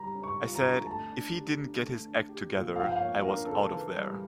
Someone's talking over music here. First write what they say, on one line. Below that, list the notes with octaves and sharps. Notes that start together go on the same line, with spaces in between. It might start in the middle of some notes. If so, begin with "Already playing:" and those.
I said if he didn't get his act together, I was out of there.
Already playing: G3 A#5
C#4
C#6
F4
A#5
D3
A3 A5
D4
G4
D3
A3
D4
G4
A#2
F3 F5
G5
F5
A#3 C#5
D4 A#4
C#3 A4
E3
G3